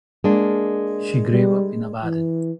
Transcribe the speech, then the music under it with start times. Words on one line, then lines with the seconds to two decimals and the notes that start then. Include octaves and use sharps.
She grew up in Ibadan.
0.24 G#3 A#3 D4
1.31 G3
2.03 E3